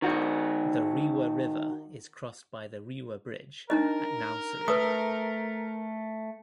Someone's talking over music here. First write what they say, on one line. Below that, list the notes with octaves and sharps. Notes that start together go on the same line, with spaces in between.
The Rewa River is crossed by the Rewa Bridge at Nausori.
D#3 F#4
D4 D#4 A#4 D#5
A3 B4 D#6